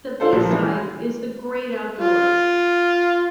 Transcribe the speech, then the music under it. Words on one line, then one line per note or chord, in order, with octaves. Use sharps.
The B-side is The Great Outdoors!
D4 F4 A4 C5
A#1 F3
E3 G#3
G#3
F4